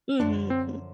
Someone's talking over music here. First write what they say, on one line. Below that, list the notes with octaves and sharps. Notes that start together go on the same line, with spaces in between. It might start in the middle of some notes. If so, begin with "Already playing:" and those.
Mhm. M
F#2 D3 F3 D4
C4